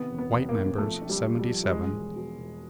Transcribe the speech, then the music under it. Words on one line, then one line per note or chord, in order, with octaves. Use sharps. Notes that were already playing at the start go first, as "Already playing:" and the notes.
White members, seventy-seven.
Already playing: C3 D#3 B3
E1
B3
E1
A#3
C3
F3 A3
A#1
G3
F3
G3
F3
G3
B2 G#3
E1
B2
E1